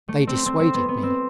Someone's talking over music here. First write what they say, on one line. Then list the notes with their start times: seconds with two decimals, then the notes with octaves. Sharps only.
They dissuaded me.
0.08 A3
0.27 C4
0.46 C4
0.60 C4
0.74 B3
0.88 B3
1.03 C4